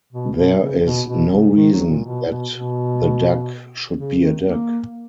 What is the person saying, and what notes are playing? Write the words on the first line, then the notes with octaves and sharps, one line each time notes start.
There is no reason that the duck should be a duck.
B2
B2
C#3
B2
B2
C#3
D#3
F#3
A#2
B2
B2
B2
C#3
D#3
A#3